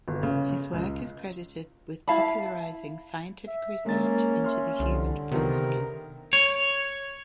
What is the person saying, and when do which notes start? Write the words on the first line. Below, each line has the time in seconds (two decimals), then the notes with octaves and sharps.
His work is credited with popularizing scientific research into the human foreskin.
0.08 G1
0.23 C#3
0.73 C#2
2.08 E4 F5 A5 B5
3.47 E5
3.86 G#3 A#3 C#4 A6
4.44 E5 C6 F6
4.80 C2 D3
5.31 C3 D#3 B3 A#4
6.33 C#5